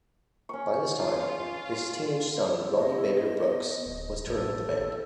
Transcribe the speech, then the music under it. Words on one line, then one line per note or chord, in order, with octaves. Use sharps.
By this time, his teenage son Ronnie Baker Brooks was touring with the band.
C#4 C#6
F4
E4
B3 D#5
E4
B3
D1
A1 A4